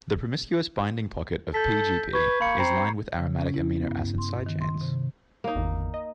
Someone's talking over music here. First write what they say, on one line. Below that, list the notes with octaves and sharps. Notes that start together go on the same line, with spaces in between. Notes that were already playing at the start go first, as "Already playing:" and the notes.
The promiscuous binding pocket of P-gp is lined with aromatic amino acid side chains.
A4 G6 B6
B4 C#6 G#6
A#3 B5 C#7
C4 A#5 B5 C7
C#3
C#4
E4
B3
G2
C6
D#3
C6
C3
A#3 D#4
G#1 E2 D3
D#5